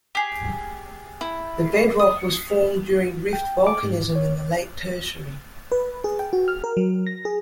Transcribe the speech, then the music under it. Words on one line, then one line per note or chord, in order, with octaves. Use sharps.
The bedrock was formed during rift volcanism in the late Tertiary.
G4 G#4
E4
D#6
G5
D6
G#2
C#5
B4
G#4
G5
F#4
F6
A#4
F#3
A#6
G#4